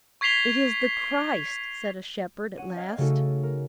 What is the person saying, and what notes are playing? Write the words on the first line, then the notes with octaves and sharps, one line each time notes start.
"It is the Christ!" said a shepherd, at last.
C#6 G#6 B6 C7 F7 G7
C#4 F#5 D#7 E7
D#5 F5 G5 G#6 D7
C#3 A3 D#4 F#4 A4
A#4